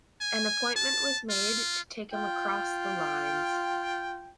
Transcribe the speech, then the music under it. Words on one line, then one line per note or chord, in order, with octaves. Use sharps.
An appointment was made to take him across the lines.
G#5
A5
F4
F4 G5